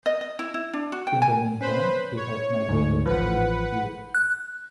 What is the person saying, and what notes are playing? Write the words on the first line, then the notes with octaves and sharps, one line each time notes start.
In the meantime, he had migrated to Europe.
D#5
D#5
E4
E4
D4
F#4
G5
G#5
C#4 B4 C5 B5
C#5
D2 G#2
A1 F3 B4 F#5
F#6